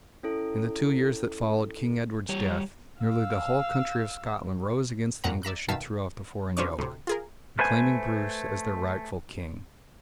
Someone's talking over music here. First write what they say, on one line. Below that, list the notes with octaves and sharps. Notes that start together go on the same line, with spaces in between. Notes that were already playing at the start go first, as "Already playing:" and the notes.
In the two years that followed King Edward's death nearly the whole country of Scotland rose against the English and threw off the foreign yoke, acclaiming Bruce as their rightful king.
C#4 E4 A4
G3 G4 C#5
F5 E6
F2 A#2 F#5 A#5
D5 E5 A#5 F#6
B2 D#3 E5 F5 A5 E6
B2 F3 C#4 D4 C#5 C#6
D2 A2 C3
F4 G#4 A#4
A3 B4 C5 G#5